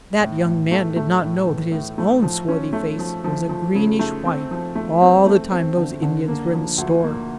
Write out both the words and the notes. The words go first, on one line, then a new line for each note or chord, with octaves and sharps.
That young man did not know that his own swarthy face was a greenish white all the time those Indians were in the store!
A2
A2
A3
A3
A2
E3
A2
A3
F3
C#4
A3
F3
F3
F3
C#3
A3
C4
F3
A3
C4
A3
C4
D3
D3
A#3
F3
D2
A#3